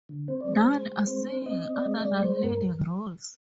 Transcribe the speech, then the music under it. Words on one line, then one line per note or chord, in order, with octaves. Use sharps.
None are singing other than leading roles.
D3
C4 C5
D5
G#3
C5
G#3
G#3
C4 C5
C4
C4 D#5
C4
D5
G#3 D#5
G#3 D5
G#3 C5
G2 A#4